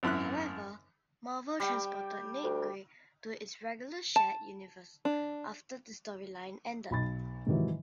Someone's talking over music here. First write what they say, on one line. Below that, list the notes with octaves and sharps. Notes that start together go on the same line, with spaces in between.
However, Marvel transported Nate Grey to its regular shared universe after the storyline ended.
G#1 F#2 E4 F#6
G3 G5
D2
A5
D4
B1 B5 A6
G#2 C3 D#3 E3 F#3